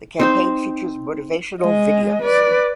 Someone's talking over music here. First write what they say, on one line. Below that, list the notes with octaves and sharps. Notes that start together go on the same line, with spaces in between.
The campaign features motivational videos.
C4 D#4 C5
G#3 D#5
B4 D5